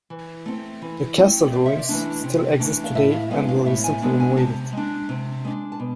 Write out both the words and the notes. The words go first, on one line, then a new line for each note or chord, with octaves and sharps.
The castle ruins still exist today and were recently renovated.
E3
A3 C4
E3
A3 C4
C3 D5
E5
D5
E3 A3 D4
C3
E3 A3 D4
F5
A2 E5
F5
G#3 B3 D4 F5
F5
A2 E5
G#5
G#3 B3 D4
G#5
C3 A5
G#3 D4
C3
G#3 D4
A5
B2